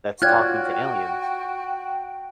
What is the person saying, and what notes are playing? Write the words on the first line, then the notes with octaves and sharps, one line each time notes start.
that’s talking to aliens.
F4 F#4 C#5 D5 G5 F6 F#6 G#6